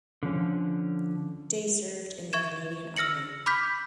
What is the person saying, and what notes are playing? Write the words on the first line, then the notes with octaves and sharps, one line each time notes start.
Day served in the Canadian Army.
D3 F3 C#4
E5 C#6 G#6 E7
E6 F6 A#6 C#7 F#7
B5 D6 F6 G6 B6